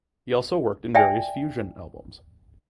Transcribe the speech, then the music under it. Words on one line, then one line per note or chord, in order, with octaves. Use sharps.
He also worked in various fusion albums.
D5 E5 G5 G#5